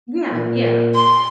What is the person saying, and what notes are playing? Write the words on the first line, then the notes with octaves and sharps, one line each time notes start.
Yeah, yeah.
A#2
C6